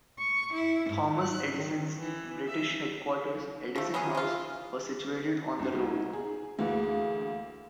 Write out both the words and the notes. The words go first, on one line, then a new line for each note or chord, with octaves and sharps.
Thomas Edison's British headquarters, Edison House, was situated on the road.
C#6
E4
G#2
F#6
D#3
E3
E5
F3 A3
F#3 B3 F4 G#4
E3 F4
C#2 C#4
C2 D#4
G#4
D2 E3 A#3 G#4